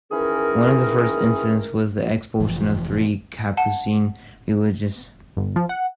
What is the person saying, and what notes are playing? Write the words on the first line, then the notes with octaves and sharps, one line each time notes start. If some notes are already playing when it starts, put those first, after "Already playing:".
One of the first incidents was the expulsion of three capuccine religious.
D#3 E3 C#4 G#4 A#4
F1 E3 F3
F#5 A5
G1
F3
F#5